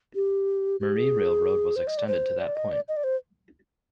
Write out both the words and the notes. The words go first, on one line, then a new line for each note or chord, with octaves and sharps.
Marie Railroad was extended to that point.
G4
G4
G#4
C5
D#5
D5
C5
D5
D#5
D5
D#5
D5
C5